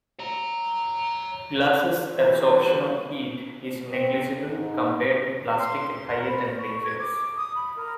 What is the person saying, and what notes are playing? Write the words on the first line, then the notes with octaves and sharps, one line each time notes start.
Glass's absorption of heat is negligible compared to plastic at higher temperatures.
C#5 A#5
E3 G3 B3 F#4 B4 C5
C4
G#2 D#4
C6
A#4
B5
C#6
G#6
D6
D#6
B5
A#4